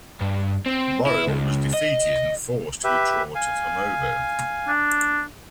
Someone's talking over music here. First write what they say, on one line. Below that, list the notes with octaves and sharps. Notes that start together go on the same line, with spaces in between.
Boril was defeated and forced to withdraw to Tarnovo.
G2
C4
E4
C#2
D#5
G4 B4 E5
F5 G#5
D4